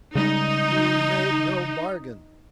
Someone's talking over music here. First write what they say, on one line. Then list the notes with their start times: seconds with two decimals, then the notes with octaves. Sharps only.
"You made no bargain."
0.15 C#3 G3 G#3 D#4